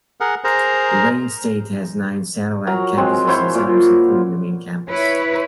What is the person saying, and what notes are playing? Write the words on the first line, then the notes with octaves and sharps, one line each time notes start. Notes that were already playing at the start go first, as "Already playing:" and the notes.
Roane State has nine satellite campuses and centers, including the main campus.
G#4 A#4 F#5
G#4 A#4 C5 A#5
F#3 A#4 A#5
G#3 C4
E4 F#4 C5 C#5
A#2
E4 B4 C#5